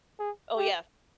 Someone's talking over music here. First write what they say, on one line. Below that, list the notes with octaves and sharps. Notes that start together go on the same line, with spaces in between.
Oh, yeah.
G#4
G4